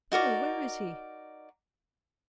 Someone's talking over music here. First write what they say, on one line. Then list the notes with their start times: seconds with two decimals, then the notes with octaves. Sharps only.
"No, where is he?"
0.12 D#4 F#4 A#4 D5